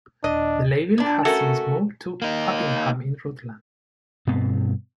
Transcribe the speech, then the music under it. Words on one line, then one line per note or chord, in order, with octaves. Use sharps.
The label has since moved to Uppingham in Rutland.
D#1 D4 D#5
A#2 D4
A3 C#4 F#4 A4 A#4
A#3 D#4
G2 B2 B3 C4